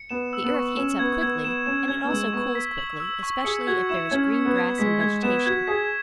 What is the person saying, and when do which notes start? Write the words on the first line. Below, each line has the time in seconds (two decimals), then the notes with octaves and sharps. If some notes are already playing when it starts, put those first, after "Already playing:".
The earth heats up quickly, and it also cools quickly, especially if there is green grass and vegetation.
Already playing: C#7
0.09 B3 E7
0.33 E6
0.44 B3
0.54 C#6
0.77 C#4 E7
0.99 B3 G#6
1.21 B3 G#6
1.44 B3 E7
1.66 C#4 E7
1.88 C#4 G#6
2.04 B3
2.11 G#3 E6
2.33 B3 C#6
2.55 B6
2.78 F#7
3.00 E6
3.23 C#6
3.44 G#4 C#7
3.67 F#4 G#6
3.89 E4 E7
4.11 C#4 G#6
4.34 C#7
4.45 B3
4.56 G#6
4.78 G#3 B6
5.00 G#3 G#6
5.23 B3 E7
5.46 F#4 G#6
5.67 G#4 B6